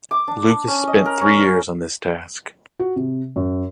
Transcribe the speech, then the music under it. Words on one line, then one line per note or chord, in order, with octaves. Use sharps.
Lucas spent three years on this task.
D6
D4
C#4
D#5
A#4
C#4
F#4
C3
F#2